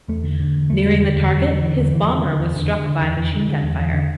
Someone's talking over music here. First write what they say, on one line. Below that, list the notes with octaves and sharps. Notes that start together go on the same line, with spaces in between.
Nearing the target, his bomber was struck by machine gun fire.
E2 A3
D3
D3
E2
E2 A3
D3
D3
E2
E2 G3
D3
D3 E3
E2
E2 E3
D3 F3
E3
D3
E2
E2 D3
D3
D3
E2
E2 E3
D3
D3
E2
E2
D3